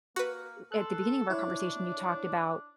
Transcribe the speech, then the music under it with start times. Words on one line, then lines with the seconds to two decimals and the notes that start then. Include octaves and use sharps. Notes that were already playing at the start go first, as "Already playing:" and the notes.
at the beginning of our conversation, you talked about,
0.16 A#3 F#4 B4
0.72 A4 C6 F#6
1.30 D4 E4 C#5